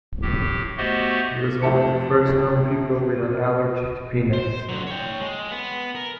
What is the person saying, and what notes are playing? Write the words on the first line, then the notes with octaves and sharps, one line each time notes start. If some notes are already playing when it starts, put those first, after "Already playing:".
He was one of the first known people with an allergy to peanuts.
A2 G4
A3 B3 F#4 G4 C5 D#5
F2 A3 E4 G4 A5 C#7
C5
D3 F#3
C#5 G5
G#3
B3
A#4